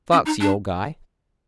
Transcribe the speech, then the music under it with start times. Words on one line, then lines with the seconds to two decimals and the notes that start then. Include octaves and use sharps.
Foxy old guy.
0.12 C#4
0.26 D#4
0.41 D4